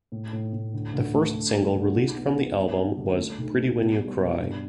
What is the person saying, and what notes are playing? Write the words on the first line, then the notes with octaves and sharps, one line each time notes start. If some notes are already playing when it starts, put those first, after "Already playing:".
The first single released from the album was "Pretty When You Cry".
A2
A2
A2
D2
D2
A3
D2
G4
D3
B1
B3
B3
D4
G3
D2
A3
B1
A3
B2
G3
B2
G2